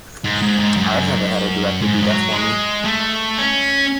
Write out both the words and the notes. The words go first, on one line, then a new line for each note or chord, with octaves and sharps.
I've never had a director do that for me.
G#2
G#2
G#2
F#2
G#2
F3
F#3
G#3
A3
C#4